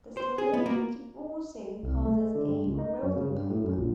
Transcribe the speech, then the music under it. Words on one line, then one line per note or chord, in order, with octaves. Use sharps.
The sleeve could also pass as a rolling paper.
C5
G#4
B3
A#3
C2
A3
D3
G2
C#2
D#4
F#2
C#3
G2
A2
F#2
A#1